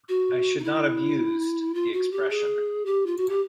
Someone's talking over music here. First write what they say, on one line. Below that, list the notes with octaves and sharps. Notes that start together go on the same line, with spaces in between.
I should not have used the expression.
F#4
D#4
E4
F4
F#4
G4
G#4
G4
F4
F#4
G4